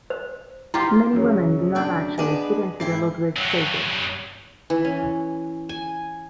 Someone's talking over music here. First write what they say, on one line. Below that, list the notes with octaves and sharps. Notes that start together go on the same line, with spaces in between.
Many women do not actually fit into the Ludwig stages.
C5
E4 F4 G4
F#2 C#3 F#3
D2 D4 G5
B3 D4 G#4 B4 D#5 D#7
G#2 E4 G5 C7
G2 F#3
E3
C#4
G#5